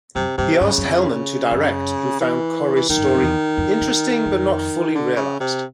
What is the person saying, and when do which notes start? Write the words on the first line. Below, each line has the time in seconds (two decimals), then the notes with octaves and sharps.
He asked Hellman to direct, who found Corry's story "interesting, but not fully realized".
0.15 F#2 C3
0.38 G2 C3
0.61 G2 C#3
0.78 F#2
0.84 F2
1.52 F#2
2.20 E3
2.75 E3
2.89 F#2 D#3
2.98 G2
3.06 F#2
3.15 F2
3.23 E2
3.57 F2
3.80 E2
4.26 F2
4.95 D3
5.17 C#3
5.40 C3